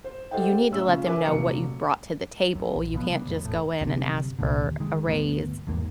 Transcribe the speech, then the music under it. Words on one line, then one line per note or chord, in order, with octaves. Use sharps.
you need to let them know what you've brought to the table; you can't just go in and ask for a raise,
C5
G4 A4 C5 D#5 F#5 G5
A2 C#4 E6
C#3 C#4 F4
A#4 B4 E5 G#5 D6
F1 D#2 A#2 F#3 C#7
F#2
A#1
B2 F3 B3
C#3 G3 B3
A1 F2
E1 A2 A3
G1 F#2 C3
C2 A#2 D3
D#2
D#3 G#3
D2 G2 B3
A1 E2 G#2 A#3